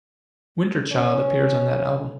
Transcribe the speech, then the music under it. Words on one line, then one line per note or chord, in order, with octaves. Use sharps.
"Winter Child" appears on that album.
C#4